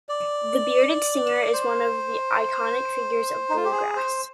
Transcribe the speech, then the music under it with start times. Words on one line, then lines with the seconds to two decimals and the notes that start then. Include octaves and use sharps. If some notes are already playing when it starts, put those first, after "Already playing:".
The bearded singer is one of the iconic figures of bluegrass.
0.09 D5
1.53 C5
3.49 D#4
3.57 F4
3.65 G4
3.71 G#4
3.96 C5